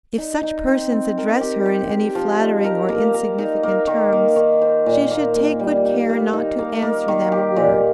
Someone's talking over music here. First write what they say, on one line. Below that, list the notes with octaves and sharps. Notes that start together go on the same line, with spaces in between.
If such persons address her in any flattering or insignificant terms, she should take good care not to answer them a word.
D#4
D#4
C4
C4
A#4
G4
G4
G4
F3
D#4
A#4
A#3
A#4
D#4
A#3
D#3
A#3
D#3
C5
A#2
A#3
A#3
G3
D#4
A#3
D#4
A#3
A#3
D#3
G4
A#2